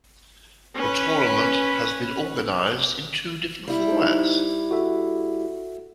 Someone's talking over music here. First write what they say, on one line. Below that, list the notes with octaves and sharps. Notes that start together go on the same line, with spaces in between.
The tournament has been organised in two different formats.
C#4 B4
G3 E4
D#4 C5
F#4 A4 E5